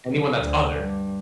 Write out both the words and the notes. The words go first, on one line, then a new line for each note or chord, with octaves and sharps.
Anyone that's other
F#3
D2
G2